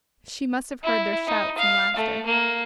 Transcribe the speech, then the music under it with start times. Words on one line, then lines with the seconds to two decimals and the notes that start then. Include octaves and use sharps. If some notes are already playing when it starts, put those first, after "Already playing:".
She must have heard their shouts and laughter.
0.84 E4
1.27 D#4
1.58 F5
1.96 A3
2.26 A#3